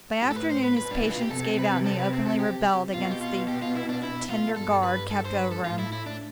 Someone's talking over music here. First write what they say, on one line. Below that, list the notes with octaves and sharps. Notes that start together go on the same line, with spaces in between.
By afternoon his patience gave out, and he openly rebelled against the tender guard kept over him.
A2 G4
A4
B4
C5
B4
B2 B4
D4
E4
F4
G4
C3 A4
B4
A4
B4
C4
A4
G4
B2 F4
G4
F4
G4
F4
E4
D4
E4
F4
G2 A4
B4
A4
C5
B4
A4
A2 F4
E4
E4
D4